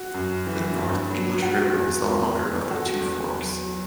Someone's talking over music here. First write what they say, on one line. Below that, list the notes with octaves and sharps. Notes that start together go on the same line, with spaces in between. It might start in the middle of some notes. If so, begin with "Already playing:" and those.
The North English River is the longer of the two forks.
Already playing: F#4
F#2
E3
G2
F#3
F#3 F#4
E2
E2
E2
E2 F#4 A4
E2
F#3
F#3